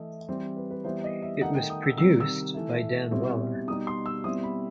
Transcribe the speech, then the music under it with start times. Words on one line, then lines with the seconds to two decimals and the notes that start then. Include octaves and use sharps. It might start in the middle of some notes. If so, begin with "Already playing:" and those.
It was produced by Dan Weller.
Already playing: E3 A3 E4 D#5
0.29 E3 G3 C4 C5
0.57 B4
0.71 B4
0.84 E3 G3 B3 E4 C5
1.04 D#5
1.22 E5
1.41 D#3 A3 D#4 F#5
1.55 G5
1.70 D#6
1.83 E6
1.98 C3 D#3 G3 E6
2.20 E6
2.54 E3 A3 E4
3.11 B2 G3 C4 E4
3.68 B2 G3 D#4 D#6
3.87 C6
4.06 E6
4.24 B2 G3 C4 E4 D#6
4.43 B5